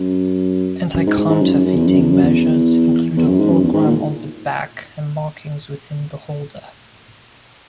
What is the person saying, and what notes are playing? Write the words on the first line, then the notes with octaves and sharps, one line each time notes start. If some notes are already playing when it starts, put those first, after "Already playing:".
Anti-counterfeiting measures include a hologram on the back and markings within the holder.
Already playing: F#2
F#2
G#2
G#2
G#2
F#2
F#2
F#2
E2
F#2
E2
F#2
E2
E2
F#2
G#2
F#2
E2
G#2
A#2